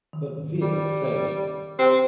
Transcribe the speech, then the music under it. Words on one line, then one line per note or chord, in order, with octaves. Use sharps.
But Veer saves her.
D#3
G3
C4 G4